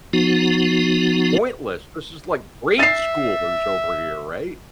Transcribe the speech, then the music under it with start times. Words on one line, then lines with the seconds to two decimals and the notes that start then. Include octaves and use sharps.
pointless, this is, like, grade-schoolers over here," right?
0.13 F3 B3 D#4 F#4
2.79 E5 A6 C7